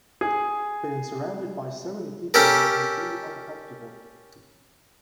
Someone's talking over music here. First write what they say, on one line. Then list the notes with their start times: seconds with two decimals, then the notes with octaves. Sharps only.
Being surounded by so many people made him feel uncomfortable.
0.21 G#4
2.34 C#4 G4 A4 A#4